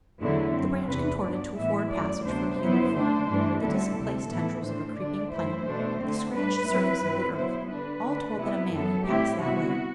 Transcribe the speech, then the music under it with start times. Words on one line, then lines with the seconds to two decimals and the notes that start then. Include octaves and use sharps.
The branch contorted to afford passage for a human form--the displaced tendrils of a creeping plant-- the scratched surface of the earth--all told that a man had passed that way.
0.20 E2 D3 F#3 A3 E4
0.54 F#2 F#3 C4
0.88 E2 C3 E3 B4
1.22 G2 F#3 B3 D4 D5
1.56 A2 E3 B3 E4 E5
1.90 F#2 F#3 A3 D5
2.25 D2 C3 F#3 B3 D4 C5
2.58 F#2 F#3 B3 E4 C5
2.92 D3 A3 D4
3.28 G2 E3 A3 D4
3.61 D2 D3 G3 C4 E4 A4
3.96 D2 C3 G3 C4
4.29 A2 E3 B3 E4
4.63 A2 E3 A3 D4 C5
4.97 D2 D3 A3 D4 D5
5.31 F#2 E3 A3 E4 C5
5.66 B2 A3 D4
6.00 D3 A3 C4
6.34 A2 G3 D4 B4
6.68 F#2 F#3 C4 E4
7.01 G2 F#3 C4 E4
7.36 B2 F#3 B3 E4 C5
7.70 D3 G3 D4 B4
8.04 D3 A3 D4
8.38 C3 G3 B3 E4
8.72 F#2 F#3 B3 A4
9.06 A2 G3 C4 E4 G4
9.41 C3 G3 B3 E4 F#4